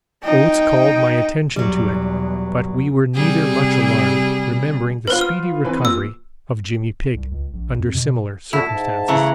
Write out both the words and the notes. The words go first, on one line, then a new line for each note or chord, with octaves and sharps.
Oates called my attention to it, but we were neither much alarmed, remembering the speedy recovery of 'Jimmy Pigg' under similar circumstances.
D#4 G5
E2 B2 F#3 G3
C3 G3 G#4
B3 F4 B4 C5
F6
E3 C4 B4
A#2 E6
C2
C#2
A#1
F2
B2
A#2 E4 F#4 A4
G#2 A5
C#3 E3 A3 E4 F#5 A#5